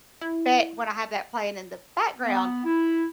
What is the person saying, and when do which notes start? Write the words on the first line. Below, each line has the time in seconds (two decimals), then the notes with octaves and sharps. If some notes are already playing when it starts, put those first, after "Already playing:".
but when I have that playing in the background,
0.21 E4
2.25 B3
2.64 E4